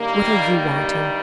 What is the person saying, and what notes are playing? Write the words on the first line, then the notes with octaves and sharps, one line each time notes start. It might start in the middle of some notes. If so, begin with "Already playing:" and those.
"What are you wanting?"
Already playing: G2 D#3 G3 A#3
G4